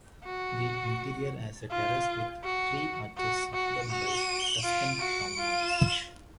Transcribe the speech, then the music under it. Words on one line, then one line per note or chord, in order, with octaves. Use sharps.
The interior has a terrace with three arches supported by Tuscan columns.
F#4
F4
F#4
F#4
F#4
F#4
F4
F#4
F4